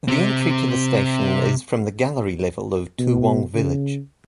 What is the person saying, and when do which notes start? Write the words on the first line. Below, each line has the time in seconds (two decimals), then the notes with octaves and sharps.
The entry to the station is from the Gallery level of Toowong Village.
0.08 C3 C4
2.99 B2
3.55 C#3